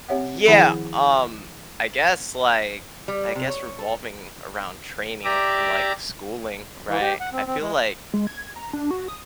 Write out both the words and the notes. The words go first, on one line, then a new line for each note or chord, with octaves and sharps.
Yeah, um, I guess, like, I guess revolving around training, and, like, schooling, right? I feel like
C4 G4 C#5 E5 F#5
D#3 F3 E4 G#4 F#5
G3
C3
C#5
A4
G4 D5 E5 A#5 D6
E3
G4
F#5
C4
C4
G#3
G#3
G#6
A#5
D4
F#4
D#6